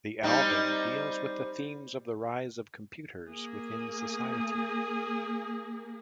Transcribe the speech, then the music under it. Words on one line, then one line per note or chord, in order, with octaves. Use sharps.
The album deals with the themes of the rise of computers within society.
G3 C4 D#4
A#3 G#4